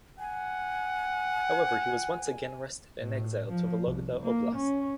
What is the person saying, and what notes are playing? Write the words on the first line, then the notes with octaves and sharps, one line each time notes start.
However he was once again arrested and exiled to Vologda Oblast.
F#5 G#5
A2
F3
C2
A#3
C#4